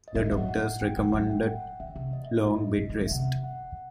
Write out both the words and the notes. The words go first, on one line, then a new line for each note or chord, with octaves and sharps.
The doctors recommended long bed rest.
D#5
G3 E5
E5
F#3
F#5
F#5
D#3 G5
F#3 F#5
F#3 E5
G5
F#5
E3 E5
C3
D#5
E5
D#5
F#2
C3
D#3
D#3
E5
C3 F#5
F#5